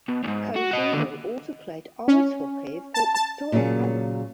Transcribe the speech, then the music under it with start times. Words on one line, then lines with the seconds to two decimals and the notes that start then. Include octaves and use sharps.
Kojedal also played ice hockey for Storhamar.
0.09 B2
0.24 D2 G#2
0.56 F#4
0.71 F#4 D#5
0.93 D#2 D3
2.08 C#4
2.94 A5
3.14 A5
3.52 A#2 C#3 F#3 A#3 G#4